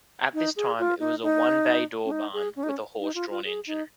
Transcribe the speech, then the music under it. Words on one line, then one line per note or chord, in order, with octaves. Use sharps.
At this time it was a one-bay-door barn with a horse-drawn engine.
D#4
G#4
F4
D#4
D#4
C#4
D#4
G#4
C#4
D#4
C#4
D#4
F4
F4
G#4
D#4